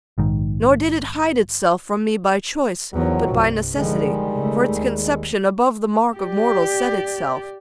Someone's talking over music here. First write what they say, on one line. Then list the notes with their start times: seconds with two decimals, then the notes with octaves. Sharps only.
Nor did it hide itself from me by choice, But by necessity; for its conception Above the mark of mortals set itself.
0.18 A#1 G#2 D#3
2.93 E2 D#3 F3 F#3
3.29 C2 G2
3.76 D3 D#3 F3 G3 G#3
4.34 C#3 A3
4.74 D#2
6.17 G4 D5